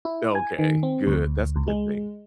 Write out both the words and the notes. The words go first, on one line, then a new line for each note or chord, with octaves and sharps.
Okay, good. That's a good thing.
E4
G#5
D#3
C4
D2
C#2
G#3